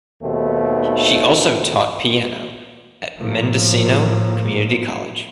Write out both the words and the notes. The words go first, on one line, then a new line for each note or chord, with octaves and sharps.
She also taught piano at Mendocino Community College.
D#2 B2 D#3 A3 B3 C4
A2 F3 A#3